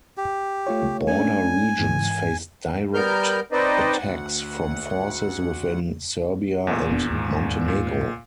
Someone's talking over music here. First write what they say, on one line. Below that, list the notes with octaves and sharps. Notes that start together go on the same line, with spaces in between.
Border regions faced direct attacks from forces within Serbia and Montenegro.
G4
A3 F4 C#5
A3 C#4 D4 G#5
G#2 E3
G3 B3 A#4 F6 G6
C4 D#4 B4 C5 D5 D#5
D2 F#5
E2 A#2
D#1 B3 D4
D#2 G#2
A#2